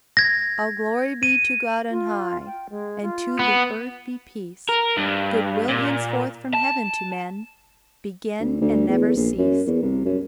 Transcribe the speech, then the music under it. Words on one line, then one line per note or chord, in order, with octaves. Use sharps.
All glory be to God on high, And to the earth be peace! Good-will, henceforth, from heaven to men Begin, and never cease.
G#6 A#6
D#7
F4
G5
G#3
F4
B3
A#4
G2
A#2
A5
D2
D2
E2
A#1
F#2
E2
C2
F#2